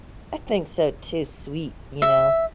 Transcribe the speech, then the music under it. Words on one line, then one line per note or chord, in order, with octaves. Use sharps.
I think so too sweet, you know?
E5